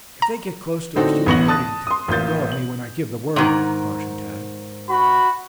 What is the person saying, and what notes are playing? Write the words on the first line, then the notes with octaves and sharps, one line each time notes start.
"If they get close to us, you be ready to let go of me when I give the word," cautioned Tad.
A#5
A2 D3 C4 D#4 F#4 A4
A1 E2 B3 C#6 A#6 F#7
A5 D#6 F#6 A6
C6 D#6
A1 A#3 F4 G6 A6
F#7
G#2 D#3
F#4 B5